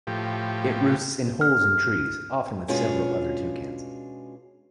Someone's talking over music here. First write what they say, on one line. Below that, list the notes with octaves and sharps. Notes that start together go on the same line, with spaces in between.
It roosts in holes in trees, often with several other toucans.
A2 F3 G4
F6
B2 G#3 C#4 D4 F4